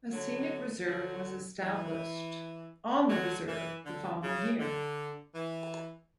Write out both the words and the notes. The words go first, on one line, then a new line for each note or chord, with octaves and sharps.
A scenic reserve was established on the reserve the following year.
D3 F#3
D3 F#3
E3
D3 F#3
E3
D3
C#3
D3
E3